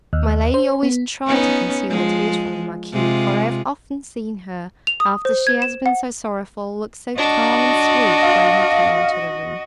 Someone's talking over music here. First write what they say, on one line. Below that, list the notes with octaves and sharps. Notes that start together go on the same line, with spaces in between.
My lady always tried to conceal her tears from the Marquis, for I have often seen her, after she has been so sorrowful, look so calm and sweet, when he came into the room!
D#2
C5
B3
B3 C#4 D#4
F3 G#3
C3 G#3 F4
F7
D#6
C5
G#6
E7
F#5
D4 F#4 D#5
F5